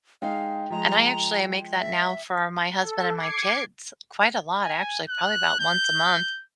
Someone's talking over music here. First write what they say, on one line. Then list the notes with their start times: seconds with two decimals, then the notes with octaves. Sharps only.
And I actually, I make that now for my husband and my kids quite a lot, actually, probably about once a month.
0.22 G#3 D#4 F5 G5
0.70 F3 G#3 A#5
1.80 E5
2.80 A4
3.15 D6 G#6 C7 C#7
4.61 G#5
5.09 F#6
5.60 G6